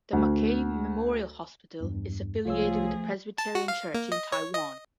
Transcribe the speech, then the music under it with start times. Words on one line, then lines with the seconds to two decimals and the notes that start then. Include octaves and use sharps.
The Mackay Memorial Hospital is affiliated with the Presbyterian Church in Taiwan.
0.13 D2
1.80 E2 G2
2.46 C2 F3 A3 F4 G#4 C#5 E6
3.38 A5
3.55 F#4
3.68 F5
3.94 A#3
4.12 D#5
4.32 C#5
4.55 D#5